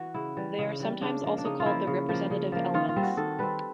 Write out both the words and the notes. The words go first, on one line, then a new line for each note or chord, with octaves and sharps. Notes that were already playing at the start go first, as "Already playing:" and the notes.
They are sometimes also called the representative elements.
Already playing: E3 F#4
C#3 E4
E3 G3
C#3
E3 G3
C#3 D4
F3 A#3
D4
C#3 D#4
F4
F3 A#3 E4
C#3
F3
A#3
C#3
F3 A#3
D#3 F4
F4
G3 C4
F#4
D#3 A4
G3 C4 B4